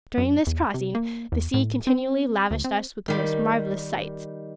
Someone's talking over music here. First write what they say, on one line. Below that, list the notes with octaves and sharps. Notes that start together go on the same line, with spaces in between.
During this crossing, the sea continually lavished us with the most marvelous sights.
F#2
E2
C3
A#3
E2
A2
C4
D2
C4
D#3 G3